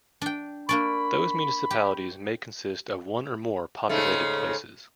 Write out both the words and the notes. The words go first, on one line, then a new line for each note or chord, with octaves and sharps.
Those municipalities may consist of one or more populated places.
D4 G5
A#3 D4 D5 B5 C#6
G4
G#2 C#3 A3